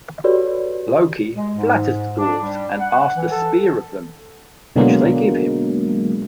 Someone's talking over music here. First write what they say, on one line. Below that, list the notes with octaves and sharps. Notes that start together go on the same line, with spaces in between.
Loki flatters the Dwarves and asks the Spear of them, which they give him.
F#4 G4 A4 B4 C#5 D5
G#3
G#2
D4
G3
F#5
E3
A4
B2 D3 F#3 G#3 A#3